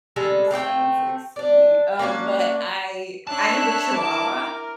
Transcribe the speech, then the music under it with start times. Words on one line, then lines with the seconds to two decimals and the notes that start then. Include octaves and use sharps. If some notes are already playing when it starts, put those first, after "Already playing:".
and this sounds, like, silly, um, but I I have a chihuahua,
0.16 G3 G#3 A4
0.51 A3 C4 D5 G5
1.36 D4 D5
1.99 A#3 C#4 D4 F#4
3.27 D4 C#5 E5 A5 F#6
3.93 E4 A#4 D6